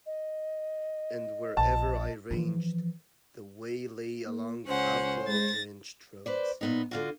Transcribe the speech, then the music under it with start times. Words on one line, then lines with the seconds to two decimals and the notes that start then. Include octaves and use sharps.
And wherever I ranged, the way lay along alcohol-drenched roads.
0.06 D#5
1.57 A#1 A5
2.30 E3 F3
4.27 A#3
4.67 C#2 C#4 C5 F#5
5.27 G#3 A6 A#6
6.26 B4 C5 D5
6.61 A#2 B3 D#4
6.91 D3 F4 F#4